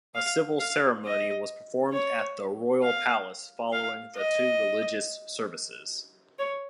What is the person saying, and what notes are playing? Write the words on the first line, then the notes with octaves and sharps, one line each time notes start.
A civil ceremony was performed at the Royal Palace following the two religious services.
F5
F5
D#5
C#5
F5
F5
D#5
C#5